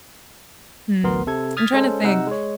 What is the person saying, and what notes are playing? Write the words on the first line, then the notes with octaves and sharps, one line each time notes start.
hmm. I'm trying to think.
A1 D2 B3 A#4 C6
C3 A4 G#6
D#6 F6 G#6 A6 B6
G#3 C#4 A4 C5
C3 D#4 F#5 E6
G#3 C#5